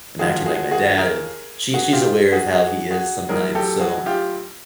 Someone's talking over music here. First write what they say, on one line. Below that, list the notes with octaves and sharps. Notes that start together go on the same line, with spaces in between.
I'm acting like my dad and she she's aware of how he is sometimes, so
D#2 C#3 F3 G#3 F#4 G#4
F#4 G#4
F#4 G#4
G#4 A#4
F#4 G#4
F4 G4
F#4 G#4
F#4 G#4
F#4 G#4
A#1 A2 F#3 G#4 A#4
G4 A4
F#4 G#4
F4 G4